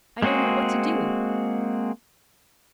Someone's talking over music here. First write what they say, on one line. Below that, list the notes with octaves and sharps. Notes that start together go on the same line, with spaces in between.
I know not what to do.
G#3 A#3 C4 F#4 G#4